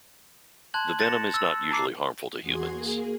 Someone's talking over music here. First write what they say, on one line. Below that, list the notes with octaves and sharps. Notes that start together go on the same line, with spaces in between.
The venom is not usually harmful to humans.
A5 C6 F#6 G#6 F#7
A6 A#6 C#7 E7
E6 A6
A5 A#5 D6 C7
E2 F#4 G#4 C6 G#6
A#3 G#4